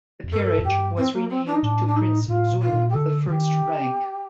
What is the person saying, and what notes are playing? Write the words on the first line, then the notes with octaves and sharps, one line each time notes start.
The peerage was renamed to Prince Xun of the First Rank.
F2
G2 A4
A#4
A4
F2
G2 G4
C4
A#3
C4
D4
D#4
A2 D4
D4
D#4
A2 F4
A#2
F4
A#2
G4
D3 A4
D#3 G4